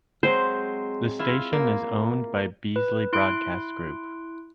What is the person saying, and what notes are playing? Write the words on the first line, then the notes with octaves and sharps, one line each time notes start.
The station is owned by Beasley Broadcast Group.
F#3 G#3 C4 C5
E4 F4 E5
A#3
B4
E4 C6 F#6 D7